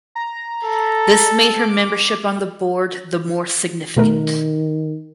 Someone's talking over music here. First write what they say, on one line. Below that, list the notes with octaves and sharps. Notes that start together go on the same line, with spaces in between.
This made her membership on the Board the more significant.
A#5
A4
D6
B2 D#3 A3 A#4